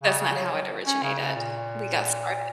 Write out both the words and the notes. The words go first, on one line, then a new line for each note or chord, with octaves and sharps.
That's not how it originated. We got started.
C#3
C#3
F#3
F#3
C#4
C#3
C#3
A#2